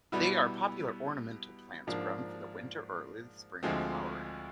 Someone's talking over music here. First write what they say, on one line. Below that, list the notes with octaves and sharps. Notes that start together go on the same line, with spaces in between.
They are popular ornamental plants grown for their winter or early spring flowering.
B2 G3 B3 E4
G#2 F3 A#3 D4
D2 D3 F3 G#3 C4